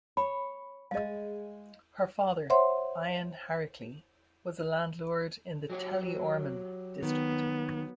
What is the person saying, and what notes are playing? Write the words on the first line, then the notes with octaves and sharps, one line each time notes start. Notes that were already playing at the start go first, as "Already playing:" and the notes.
Her father, Ion Haricli, was a landlord in the Teleorman district.
C#5 B5
G#3 G#4 D#5 F5
C5 C#5 E5 F#5 C6
F#3 G4 C#5
D#3 B3